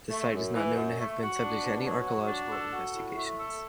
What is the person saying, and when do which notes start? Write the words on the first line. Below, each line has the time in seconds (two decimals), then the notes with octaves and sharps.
The site is not known to have been subject to any archaeological investigations.
0.10 A3
0.32 F#2
0.54 E3
0.75 F#2
0.98 A3
1.19 F#4
1.40 D4
1.62 B2
1.84 F#3
2.06 F#4
2.27 D4
2.49 A4
2.71 F#4
2.92 A2
3.15 A3
3.36 A4